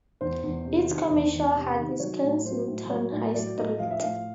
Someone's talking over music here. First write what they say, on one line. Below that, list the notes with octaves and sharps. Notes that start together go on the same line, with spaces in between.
Its commercial heart is Kensington High Street.
E2 C5
E2
C3
D#3
E2
E2
C3
D#3
F#3 C#5
A2
F#3 C5
A2
F#3 C#5
A2 D5
F#3 D5
A2 D#5
F3 F5
E5
A2 F5